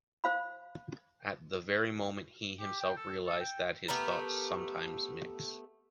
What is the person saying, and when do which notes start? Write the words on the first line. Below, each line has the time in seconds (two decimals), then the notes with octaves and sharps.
At the very moment he himself realized that his thoughts sometimes mix.
0.24 C5 F5 B5
2.60 G4
2.80 G5
2.96 A4
3.27 A4
3.40 G5
3.88 A3 B3 G4 A#4